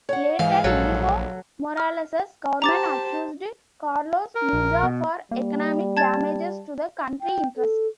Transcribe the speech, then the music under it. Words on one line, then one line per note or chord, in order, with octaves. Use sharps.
Later, Evo Morales's government accused Carlos Mesa for economic damages to the country interests.
C#5 F#5
G#2 E3 F5
A#1 F#3 A4
F6
G4 C5 A5 A#5 D6 A6
A#4
A#1
B2
G3 A#3
A5 G#6 A6
G5
A4